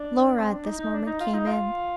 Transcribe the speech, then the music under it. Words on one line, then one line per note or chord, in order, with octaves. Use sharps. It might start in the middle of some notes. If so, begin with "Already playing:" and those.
Laura at this moment, came in.
Already playing: D4
C4
D4
D#4
D#4
D4
D#4
F4
D#4
F4